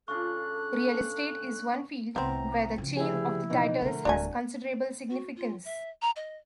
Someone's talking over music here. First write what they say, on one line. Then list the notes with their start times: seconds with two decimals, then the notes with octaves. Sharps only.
Real estate is one field where the chain of title has considerable significance.
0.08 C#3 D4 F4 A4 C#6 F#6
2.16 C2 A2 D#3 B3 C4 A#5
2.78 C#3 F3
2.97 D2 E4 G4 G#4
3.50 B2 E3 D#4
3.81 B2 D3 F3 A3 A#4
4.05 D1 G3 D4 F#4 G#5
5.10 F#4
5.36 F4
5.65 E5
6.02 A#5
6.16 D#5